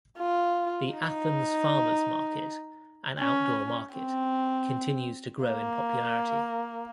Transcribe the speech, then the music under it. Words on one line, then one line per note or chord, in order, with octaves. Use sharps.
The Athens Farmers Market, an outdoor market, continues to grow in popularity.
F4
D#4
C#4
C4
A#3